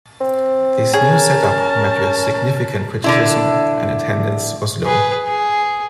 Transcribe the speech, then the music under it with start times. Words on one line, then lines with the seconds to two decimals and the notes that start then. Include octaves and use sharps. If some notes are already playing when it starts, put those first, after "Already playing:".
This new setup met with significant criticism and attendance was low.
0.21 C4
0.93 C#4 G#4 A#4 A5
3.04 D3 D4 E4
4.86 G#4 B4
5.27 G#4